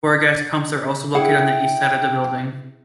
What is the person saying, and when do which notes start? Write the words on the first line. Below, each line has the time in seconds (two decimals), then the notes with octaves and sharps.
Four gas pumps are also located on the east side of the building.
1.15 E4 G#4 F#5 G5